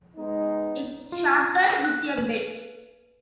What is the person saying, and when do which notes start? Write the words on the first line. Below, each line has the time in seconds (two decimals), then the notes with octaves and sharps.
It started with a bet.
0.16 G#3 B3 D#4
1.12 F4
1.85 F#6
2.18 B4